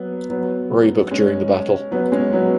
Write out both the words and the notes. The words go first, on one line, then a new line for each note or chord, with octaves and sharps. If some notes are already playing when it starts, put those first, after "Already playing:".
Roebuck during the battle.
Already playing: F#3 B3
F#3 B3
G#3 C#4
F#3 B3
G#3 C#4
F#3 B3